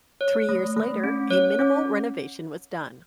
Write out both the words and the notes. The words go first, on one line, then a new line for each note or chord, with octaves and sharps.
Three years later, a minimal renovation was done.
C#5
A3
A3
C#4
C#5
C#4